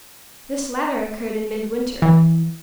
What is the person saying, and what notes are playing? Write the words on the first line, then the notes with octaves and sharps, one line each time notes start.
This latter occurred in midwinter.
E3